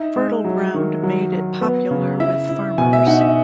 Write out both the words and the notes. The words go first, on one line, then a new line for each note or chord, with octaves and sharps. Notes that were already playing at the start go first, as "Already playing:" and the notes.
Fertile ground made it popular with farmers.
Already playing: D#4 E5
G#3
F#3
D#3
F#3
F#3
B3
C#3
E4 E5
E4
B2 G#5
E5
D#4 F#5
E5